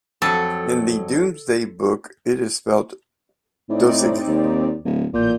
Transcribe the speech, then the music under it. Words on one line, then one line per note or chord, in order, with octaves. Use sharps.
In the Domesday Book it is spelt Dochesig.
F2 F#3 A4
A2 C4 D#4 D5
D#2
D1
A1 A#2 G6